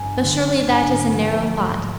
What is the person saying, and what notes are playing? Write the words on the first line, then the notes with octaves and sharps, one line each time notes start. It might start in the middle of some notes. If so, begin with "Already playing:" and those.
But surely that is a narrow thought.
Already playing: G2 G#5 A#5
D3 F#3
G#2 G#5 A#5
F3 A3
G#2